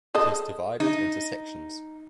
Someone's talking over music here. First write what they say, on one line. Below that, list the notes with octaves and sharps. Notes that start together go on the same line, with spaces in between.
It is divided into sections.
G#4 A4 D#5
D#4